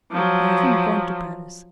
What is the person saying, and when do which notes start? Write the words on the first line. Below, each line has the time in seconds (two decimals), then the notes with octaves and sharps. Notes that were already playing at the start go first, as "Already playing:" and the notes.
They haven't gone to Paris.
0.12 F3 F#3